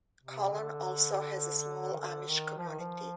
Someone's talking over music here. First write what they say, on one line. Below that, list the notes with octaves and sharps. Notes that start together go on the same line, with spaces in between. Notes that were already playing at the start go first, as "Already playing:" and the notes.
Colon also has a small Amish community.
C3
D3
D#3
D3
D#3
F3
D#3
F3